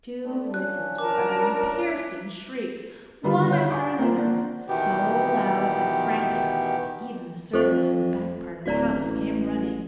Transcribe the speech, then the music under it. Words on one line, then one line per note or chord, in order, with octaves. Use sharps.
Two voices were uttering piercing shrieks, one after another, so loud and frantic that even the servants in the back part of the house came running.
A2 D4
F3 C#4 F#6
A#4 A5 D6
D3 D#3 G3 B3 F4 B5
C#5 F#5 G6
G#5 C#6 D6
A#3 C4 F4 C5
A#3 D4 D5 F#5
B2 D#3 E3 B3 G4
F2 A4 C5 C#6
D1 F#4 D5 A#5
A1